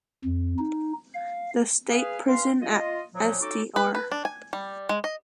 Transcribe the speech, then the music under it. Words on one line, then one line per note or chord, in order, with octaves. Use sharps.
The State Prison at Sdr.
F2
D#4
F5
G#4 B4 F5
G2 C#4 B4 F5 C6
F4 D#5
A#2 F3 F#3
C#4 D#4 F#4 A4 D6
B4
B4
D4
G#5
G3
G#3
D#5